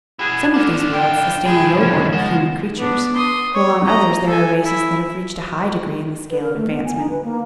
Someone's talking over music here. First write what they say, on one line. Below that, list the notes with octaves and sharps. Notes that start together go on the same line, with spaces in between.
Some of these worlds sustain a low order of human creatures, while on others there are races that have reached a high degree in the scale of advancement.
E4 F#4 G#4
D3 D4 F4
G5
C2 F#2 G#4
C#3 F3 C#4
F3 G#3 B3
B3 D4
C6 D#6
C#5
D#5 A#5
A4 G#5
E4
B4
A#4
A3
B3
G#5
D#4
B4
A#3